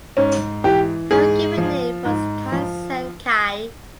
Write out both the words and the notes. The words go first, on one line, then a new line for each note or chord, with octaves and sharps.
Her given name was Khin Sein Kyi.
G#2 C#4
E3 G4
G#2 G#4
F3
G#2
F3